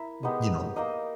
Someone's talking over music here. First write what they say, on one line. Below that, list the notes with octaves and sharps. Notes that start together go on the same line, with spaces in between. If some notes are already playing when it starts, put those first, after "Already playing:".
n you know
Already playing: E4 A#4 E5
G#3 B3 D#4 G4
A#3 D#4 A#4 D#5